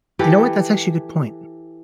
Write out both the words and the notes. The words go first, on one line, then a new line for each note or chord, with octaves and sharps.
You know what, that's actually a good point.
E3 G4 A4 B4